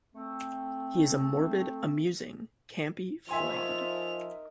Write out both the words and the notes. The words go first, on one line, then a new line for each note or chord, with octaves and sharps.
He is a morbid, amusing, campy fraud.
A3 C4
F3 D#4 A#4 E5 G#5 C6 F7